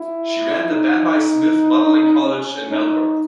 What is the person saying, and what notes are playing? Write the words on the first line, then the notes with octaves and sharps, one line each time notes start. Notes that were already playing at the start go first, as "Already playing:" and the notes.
She ran the Bambi Smith Modelling College in Melbourne.
Already playing: E4
D#4
C#4
D#4